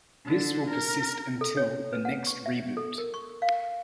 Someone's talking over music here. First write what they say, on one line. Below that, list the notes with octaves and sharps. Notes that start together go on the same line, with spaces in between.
This will persist until the next reboot.
D3
A#4
A4
C#5
B4
F#5
C#6
E5
A4
A#4
C#6
F5